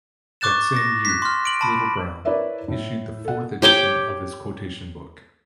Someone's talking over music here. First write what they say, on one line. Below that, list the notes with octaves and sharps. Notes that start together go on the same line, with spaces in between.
That same year, Little, Brown issued the fourth edition of his quotation book.
C#6 D6 F#6 A6 E7
A#6
F#6 B6
C6 F6
D7 F#7
A5 B5
E4 A#4 B4 C#5 D5 E5
A2
A4 F#5
G4 C#5 G5 D6